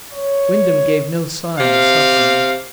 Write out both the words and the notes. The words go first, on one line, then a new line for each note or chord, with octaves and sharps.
Wyndham gave no sign of suffering.
C#5
C3 F5